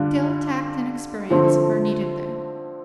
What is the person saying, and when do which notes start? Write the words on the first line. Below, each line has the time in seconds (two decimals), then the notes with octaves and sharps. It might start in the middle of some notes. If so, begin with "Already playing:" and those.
Skill, tact, and experience are needed there.
Already playing: D3 G3 D4 F4
1.31 D3 F3 A3 C4